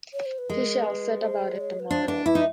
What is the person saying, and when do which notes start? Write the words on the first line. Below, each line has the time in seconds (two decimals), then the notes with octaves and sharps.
He shall set about it tomorrow.
0.13 C#5
0.26 C5
0.38 B4
0.50 G#3 A#4
0.85 B4
1.20 C5
1.56 D5
1.61 C#5
1.80 B4
1.90 D4 C5
2.07 D4 B4
2.26 E4 B4
2.35 D#4